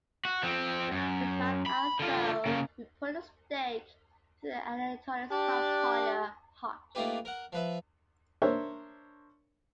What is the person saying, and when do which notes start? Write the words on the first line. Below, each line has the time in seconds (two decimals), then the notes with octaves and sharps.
It's not as though we put a stake through Anathallo's vampire heart.
0.25 F#4
0.43 F3 C4
0.91 F#2
1.66 B5
1.99 D3 F4
2.46 C#3 A#3
5.31 D4 G4 D5 A5
6.95 A3 A#3 D#4 F4 G4 B4
7.25 A#4 F#5
7.52 F3 B4 E5
8.42 D4 A#4 C5 C#5 E5 C#6